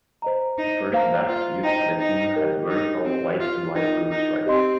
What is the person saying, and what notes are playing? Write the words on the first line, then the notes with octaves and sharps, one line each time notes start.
The first vest used by the team had vertical white and light blue stripes.
C5 D#5 A#5
D#4
A#3 C5 F5 A#5
F4
D#4 C5 D#5 G5 A#5
D#4
G4 A#4 G5
D#4
C4 G4 C5 D#5
F4
D#4 F4 A#4 G5
D#4
C4 G4 D#5 C6